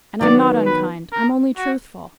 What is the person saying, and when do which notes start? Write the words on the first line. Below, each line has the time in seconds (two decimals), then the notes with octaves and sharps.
'And I'm not unkind, I'm only truthful.
0.21 D#3 F#3 B3 D4 D5
0.66 B4
1.12 A#4
1.57 F#4